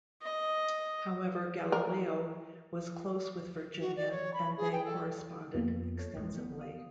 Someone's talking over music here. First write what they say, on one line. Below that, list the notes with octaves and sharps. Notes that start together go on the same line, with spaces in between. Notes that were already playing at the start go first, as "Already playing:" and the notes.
However, Galileo was close with Virginia, and they corresponded extensively.
D#5
A#4
F#4
D5
C#5
B5
G#4
G5
A4
F2 A#3 B3 F4
A4 C#5
A1 G#3
B3
F5 D#6